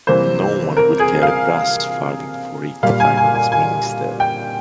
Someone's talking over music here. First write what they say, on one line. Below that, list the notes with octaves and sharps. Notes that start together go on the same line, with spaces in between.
No one will care a brass farthing for it Finance minister.
C3 E3 G3 A#3 C5
A#4
G#4
F5
A#2 G3 A#3 F5
G#5
G#5
G#5
G#5
G5